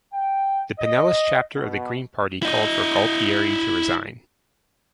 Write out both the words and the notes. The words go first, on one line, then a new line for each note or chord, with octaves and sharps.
The Pinellas chapter of the Green Party called for Gualtieri to resign.
G5
D#5
B2
E4 D#5